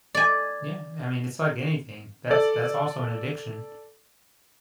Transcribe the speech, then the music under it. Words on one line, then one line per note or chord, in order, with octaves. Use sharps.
Yeah, I mean, it's like anything, that's that's also an addiction.
D5 G#5
A4 D5